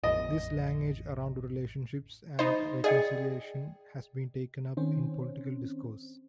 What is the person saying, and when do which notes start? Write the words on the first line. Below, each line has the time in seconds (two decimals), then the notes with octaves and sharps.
This language around relationships and reconciliation has been taken up in political discourse.
0.04 A1 F2 D#5
2.39 D#4 C5 D#5 B5
2.84 G#4 D5 D#5 G5
4.77 D#3 C4 C#4 C5